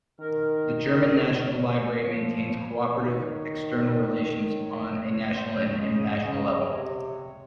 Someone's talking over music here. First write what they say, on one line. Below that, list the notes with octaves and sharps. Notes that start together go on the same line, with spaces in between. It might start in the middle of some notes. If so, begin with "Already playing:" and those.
The German National Library maintains co-operative external relations on a national and international level.
D#3 A#4
C#5
F3 C#5
D#3
D#5
C#5
C5
C#5
C#3 D#5
C#3
C3 C#5